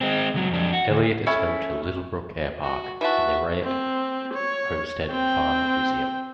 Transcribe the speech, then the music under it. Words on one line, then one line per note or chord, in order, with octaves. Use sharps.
Eliot is home to Littlebrook Airpark and the Raitt Homestead Farm Museum.
G#3 C4
C#2 F#3
F2 D4
F#4
D2
A3 C#4 E4
F#4
E3 F#4 E5 A5
C4
C#5
C4 G5